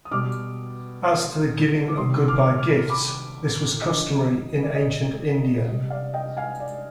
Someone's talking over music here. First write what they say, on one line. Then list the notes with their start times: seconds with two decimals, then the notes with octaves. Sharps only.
As to the giving of goodbye gifts, this was customary in ancient India.
0.05 D#6
0.11 B2 G3 D6 F6
1.04 C6 D#6
1.88 D6
1.97 C3 D#3 G3 C6 D#6
2.28 D6 F6
2.58 D6 F6
2.90 B5 D6
3.82 D3 F3 D#5
4.63 D5
4.75 D#5
5.67 C3 G3 D#5
5.90 D5 F5
6.14 D#5 G5
6.37 F5 G#5
6.60 D5